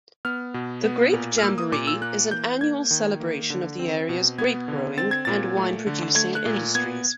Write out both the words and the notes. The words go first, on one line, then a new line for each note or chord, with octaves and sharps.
The Grape Jamboree is an annual celebration of the area's grape-growing and wine-producing industries.
B3 F6
B2
B3
A#2
F6
A#3 E6
D#6
A#2 D6
E6
A#3 F#6
E3 G6
A#3 G#6
D#3
A#3
D3
C4
B2
B3 G#6
D3
C4 A6
G#6
A#2 A6
A3
D3
A3 G#6
F#6
A#2
B3 G#6